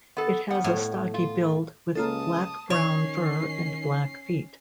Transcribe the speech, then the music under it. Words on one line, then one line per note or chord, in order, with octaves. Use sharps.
It has a stocky build with black-brown fur and black feet.
B3 A4
G2 B3 F#5
A2
F4
C#2 A#3 F4 A4 A5 D#6
D#3 C#4 C#5 C7